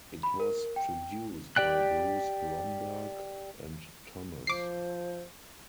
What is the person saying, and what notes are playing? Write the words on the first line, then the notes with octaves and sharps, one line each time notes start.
It was produced by Bruce Bromberg and Thomas.
B5
A#4
G5
G4 D5 G5 F#6
F3 C5 D6 C7